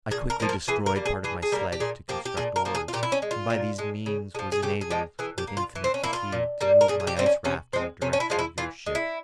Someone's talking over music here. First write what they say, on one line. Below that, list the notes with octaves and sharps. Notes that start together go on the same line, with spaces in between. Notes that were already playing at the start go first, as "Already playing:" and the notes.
I quickly destroyed part of my sledge to construct oars, and by these means was enabled, with infinite fatigue, to move my ice raft in the direction of your ship.
A#2 G#4
A#4
F3 A#3
A#4
E3 G#4
A#4
G3 A#3
G#4
E3 G#4
G#4
G3 A#3 A#4
G4
A#2 G#4
F3 A#3 G4
G4
A#2 G#4
A#4
F3 A#3
G#4
F4
A#2 G4
E4
C#4
G#3
F4
A#2
G#3
C#3
G#3
F3
G#4
C#3 G4
G#4
F3 G#3 G4
E3 G#4
G4
A#3
F4
E3
C4
C#4
A#3 E4
F4
A#2
G3 A#3
A#4
A#2 G#4
G#4
G4
G3 A#3 C4
C#4
C3 C#4
F3 G#3 C4
C3 C#4
C#4
E4
F3 G#3 F4
E4
E3 F4
G#3
E4